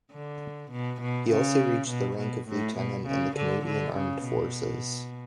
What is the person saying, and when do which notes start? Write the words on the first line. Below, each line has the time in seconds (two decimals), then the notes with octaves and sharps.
He also reached the rank of Lieutenant in the Canadian Armed Forces.
0.12 D3
0.72 B2
1.01 B2
1.30 C#3
1.89 B2
2.19 B2
2.48 A2
2.78 B2
3.07 C#3
3.36 D3
3.66 D3
3.96 C#3
4.24 B2